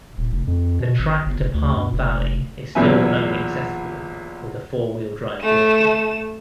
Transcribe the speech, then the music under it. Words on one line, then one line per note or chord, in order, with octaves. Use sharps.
The track to Palm Valley is still only accessible with a four-wheel drive vehicle.
D#1
F1
F2
B2
G#1
G1
F1
D2
G2
F1
F1
B1 E2 A#2 B3 E5 G#5
A3 E7